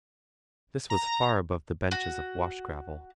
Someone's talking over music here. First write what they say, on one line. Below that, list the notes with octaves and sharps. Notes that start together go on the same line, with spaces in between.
This was far above the benches of wash-gravel.
A#5
F#4